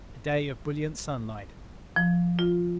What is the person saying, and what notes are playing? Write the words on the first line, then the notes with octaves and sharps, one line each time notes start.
A day of brilliant sunlight.
F3
F4